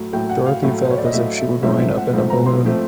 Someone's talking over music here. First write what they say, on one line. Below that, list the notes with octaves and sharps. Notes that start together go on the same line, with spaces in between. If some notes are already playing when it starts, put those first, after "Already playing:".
Dorothy felt as if she were going up in a balloon.
Already playing: A2 F#3 A3
A2 F#3 A3 G5
F#5
F5
A2 F#3 A3 E5
C5
C#5
D5
D#5
A2 F#3 A3 E5
E5
G#2 F3 A3 C4 E5
E5
F#5
G#2 F3 A3 C4
A#5
C6
F3 A3 C4